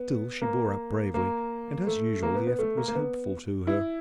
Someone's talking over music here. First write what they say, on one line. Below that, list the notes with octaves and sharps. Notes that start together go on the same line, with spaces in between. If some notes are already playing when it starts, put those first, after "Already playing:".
Still she bore up bravely, and as usual the effort was helpful to her.
Already playing: B3
A#3
A#3
A3
A#3
B3
B3
A3
A#3
A#3
B3
E4